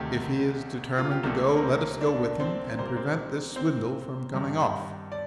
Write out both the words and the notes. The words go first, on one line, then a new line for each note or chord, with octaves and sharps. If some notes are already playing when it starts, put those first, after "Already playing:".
If he is determined to go let us go with him and prevent this swindle from coming off.'
Already playing: D2 C3 D#3 A3 G4
F4
G4
C2 C3 F3 A3 A#3 A4
A#4
C4 C5
D4 D5
C4 C5
A#2 G3 A#3 C5
A#4
C4 C5
C4 C5
G2 D#3 G3
D5